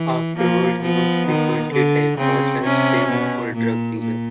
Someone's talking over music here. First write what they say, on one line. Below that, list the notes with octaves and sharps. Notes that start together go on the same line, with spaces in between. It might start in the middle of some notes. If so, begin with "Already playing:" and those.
Afterward, he was frequently typecast as pimp or drug dealer.
Already playing: E3
F3 A#3
F3 B3
D#3
D3
C#3 C4
C3 C#4
B2
A#2
A#2